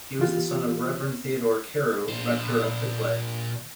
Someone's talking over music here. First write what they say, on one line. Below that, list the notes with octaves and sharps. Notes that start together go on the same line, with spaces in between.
He was the son of Reverend Theodore Carew, rector of Bickleigh.
E3 F4 G4
A#2 C5